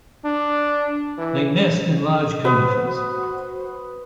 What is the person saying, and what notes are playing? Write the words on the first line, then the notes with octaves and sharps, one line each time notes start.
They nest in large conifers.
D4
E3
F#4 B4 C5 D#6